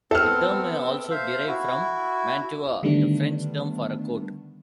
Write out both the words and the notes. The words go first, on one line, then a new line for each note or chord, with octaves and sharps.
The term may also derive from "manteau", the French term for a coat.
B3 C4 A4 F6
C5 E5 F5
E4 F#4
D3 D#3 G3 A3 B3 D4